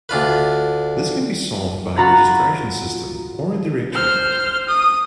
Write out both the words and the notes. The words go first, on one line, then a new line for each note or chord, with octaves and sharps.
This can be solved by a registration system or a 'directory'.
D2 D4 F4 B4
F4 F#4 A#5 B5 A6
C5 F6
D#6